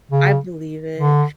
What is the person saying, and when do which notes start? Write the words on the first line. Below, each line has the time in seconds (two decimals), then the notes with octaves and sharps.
I believe it.
0.12 C#3
0.98 D3